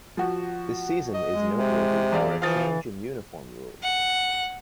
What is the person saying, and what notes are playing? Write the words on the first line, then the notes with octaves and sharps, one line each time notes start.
This season is noteworthy for a change in uniform rules.
F3 F#4
D#5
G#3
C3
E2 D5 F5
E3 F3 F5 D#6 A6
F#5